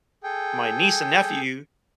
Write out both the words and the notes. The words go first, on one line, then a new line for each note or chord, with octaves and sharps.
my niece and nephew,
G#4 A4 G5